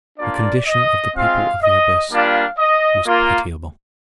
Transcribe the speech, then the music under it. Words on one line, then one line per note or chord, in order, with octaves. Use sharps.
The condition of the people of the abyss was pitiable.
A#3 D4 F4 D5
D#5
G#3 C4 F4 F5
D#5
G3 A#3 D4 F4 F5
D#5
A#3 F4